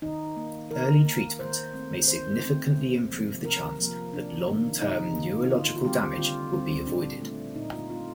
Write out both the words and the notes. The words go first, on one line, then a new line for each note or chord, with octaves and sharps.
Early treatment may significantly improve the chance that long-term neurological damage will be avoided.
D#3 D#4
A#3
D#3 A#4
A#3
D#3 C5
A3 C4
D#3 C5
A3 C4
C3
F3 A#3
C3 A#4
F3 A#3
C3 D4
D#3 A#3
C3 D#4
D#3 A#3
D3 F4
F4
G3 C4 G4
D3 F4
G3 C4
A#2 D4
A3 C4
A#2 D#4
F4
A3 C4 F4